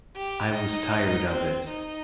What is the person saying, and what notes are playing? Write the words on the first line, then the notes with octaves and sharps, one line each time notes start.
I was tired of it.
G4
D#4
C4
D#4